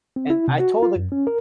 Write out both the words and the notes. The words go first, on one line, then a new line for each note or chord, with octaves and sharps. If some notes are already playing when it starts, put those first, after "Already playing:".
and I told the
C4
E4
C3
F#4
F4
F#2
C#4
A#4